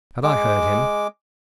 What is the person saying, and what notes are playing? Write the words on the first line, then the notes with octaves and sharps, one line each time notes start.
Had I heard him?
G#3 D6